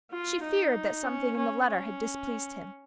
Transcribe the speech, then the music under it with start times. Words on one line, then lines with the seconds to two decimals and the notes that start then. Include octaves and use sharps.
She feared that something in the letter had displeased him.
0.11 F4
0.43 D#4
1.05 C#4
1.36 C#4
1.68 C#4